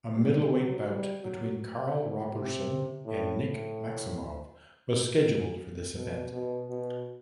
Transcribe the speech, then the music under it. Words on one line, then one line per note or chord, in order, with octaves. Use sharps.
A middleweight bout between Karl Roberson and Nick Maximov was scheduled for this event.
G3
F#3
G3
F#3
C3
A2
A2
B2
B2
B2